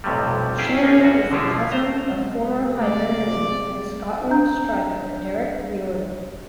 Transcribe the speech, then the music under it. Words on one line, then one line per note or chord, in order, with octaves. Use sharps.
Shanley is the cousin of former Hibernian and Scotland striker Derek Riordan.
B1 F2 A2 C3 F#3 G3
C#4 E4 F4 G4 G#4
A#3 C#4 D#4 F4 G#4
E2 F#4
B2 D3 F3 E4 F4
A3 C5 A#5
C3 G#3
G#3 A3 D5
D4 A#5 G6